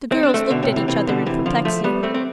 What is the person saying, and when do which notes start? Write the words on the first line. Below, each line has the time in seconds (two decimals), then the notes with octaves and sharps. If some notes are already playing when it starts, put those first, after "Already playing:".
The girls looked at each other in perplexity.
0.12 C4
0.23 D4
0.34 A3 C4
0.50 B2 D3
0.63 A2 C3
0.76 C3 E3
0.88 C3 E3
1.07 B2 D3
1.26 C3 E3
1.46 D3 F3
1.65 F3 A3
1.84 G3 B3
2.03 A3 C4
2.14 C4